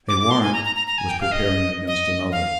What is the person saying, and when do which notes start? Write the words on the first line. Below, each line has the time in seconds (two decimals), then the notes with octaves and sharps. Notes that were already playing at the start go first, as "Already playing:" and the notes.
A warrant was preparing against another.
0.08 D6
0.20 D6
0.31 C6
0.43 G#5
0.53 A#5
0.65 A#5
0.76 A#5
0.87 A#5
0.98 G#5
1.09 G5
1.21 F5
1.32 D#5
1.87 D#5
2.32 F5